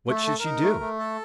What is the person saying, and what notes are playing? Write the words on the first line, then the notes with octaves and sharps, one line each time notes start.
What should she do?
A3
A4
A4
A#4
D#4
A3
A3
A4